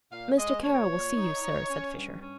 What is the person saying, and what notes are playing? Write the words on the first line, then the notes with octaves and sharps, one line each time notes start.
"Mr. Kara will see you, sir," said Fisher.
A#2 F5
G#3 D#5
A#2 C#5
A#2
D#4
D#4
C#4
G2
C#4